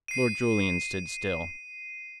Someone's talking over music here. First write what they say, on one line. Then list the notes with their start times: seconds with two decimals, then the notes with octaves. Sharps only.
Lord Julian stood still.
0.08 C7 D#7